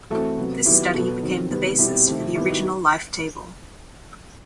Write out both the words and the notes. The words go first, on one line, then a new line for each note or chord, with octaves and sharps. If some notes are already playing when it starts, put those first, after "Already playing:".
This study became the basis for the original life table.
E3 A3 C4 F#4 A4
C3 F#3 B3
D#3 F#3 B3 E4 G4
B2 F#3 B3 F#4 A4
D#3 F#3 C4
C3 D#3 G3 B3
B2 G3 C4 E4 G4
C3 D#3 A3 C4
D#3 G3 B3 E4 G4
D#4 F#4